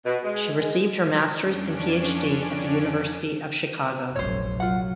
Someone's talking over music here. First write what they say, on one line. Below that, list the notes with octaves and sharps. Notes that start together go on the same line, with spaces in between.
She received her Masters and PhD at the University of Chicago.
B2
G#3
G#3
F2 C#4 D4 D7
F1 A#1 F#2 C5 C#5
F#3 F4 F#5